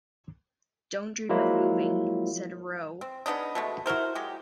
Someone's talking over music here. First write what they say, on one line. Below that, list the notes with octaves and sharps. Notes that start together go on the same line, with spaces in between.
"Don't dream of moving," said Rowe.
F3 F#3 G#3 A#3 E4 F4
C4
C#3 B3 D4 D#4
B2 G#3 A3
E4 F#4 A#4 C5
F#3 G#3 G4